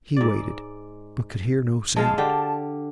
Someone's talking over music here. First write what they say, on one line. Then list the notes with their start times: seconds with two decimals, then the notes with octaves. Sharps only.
He waited, but could hear no sound.
0.16 G#2 D5
1.96 G#3 F5 A5
2.18 D3 G4